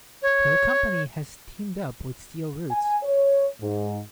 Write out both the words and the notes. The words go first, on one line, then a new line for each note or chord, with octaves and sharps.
The company has teamed up with SteelRoots.
C#5
G#5
C#5
G#2